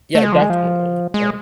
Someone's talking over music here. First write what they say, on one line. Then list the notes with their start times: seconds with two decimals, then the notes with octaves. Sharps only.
Yeah, definitely does.
0.15 A3
0.24 G#3
0.33 F3
0.42 G#3
0.50 F3
1.14 G#3